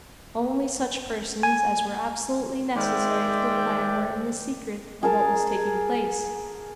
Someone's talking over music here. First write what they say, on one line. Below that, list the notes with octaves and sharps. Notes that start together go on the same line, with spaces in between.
Only such persons as were absolutely necessary to the plan were in the secret of what was taking place.
G#5
D#3 G#3 C5 D5 E5 G5
G#4 A#4 A5